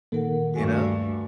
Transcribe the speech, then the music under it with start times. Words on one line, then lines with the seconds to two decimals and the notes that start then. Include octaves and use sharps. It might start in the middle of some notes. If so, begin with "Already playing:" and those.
You know?
0.12 A#2 D#3 A#3 A4 A#4 F#5
0.54 D2 G2 A3 F#4 G#5